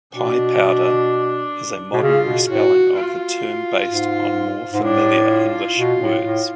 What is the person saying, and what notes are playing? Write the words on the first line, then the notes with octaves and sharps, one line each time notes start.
"Piepowder" is a modern respelling of the term based on more familiar English words.
B2 D4
B2
C#3 F4
B2
A2 F#4
F4
G#2
G#2
A2 D4
F4
B2
A2
A2